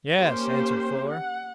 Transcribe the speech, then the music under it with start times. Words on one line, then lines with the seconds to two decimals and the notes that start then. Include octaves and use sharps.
"Yes," answered Fuller.
0.17 A#3 C#4 G4 C5
1.09 F#5